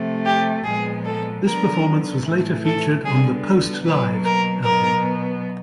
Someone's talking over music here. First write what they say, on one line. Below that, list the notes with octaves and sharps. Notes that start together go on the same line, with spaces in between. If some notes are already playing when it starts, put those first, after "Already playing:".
This performance was later featured on the "Post Live" album.
Already playing: C3 F3 A3
G4
A#2 F3 G#3 B3 G#4
A4
D3 F#3 B3 A#4
A2 E3 A3
A4
D3 G3 B3 G#4
B2 F#3 A#3 B4
A#4
B2 F#3 B3 A#4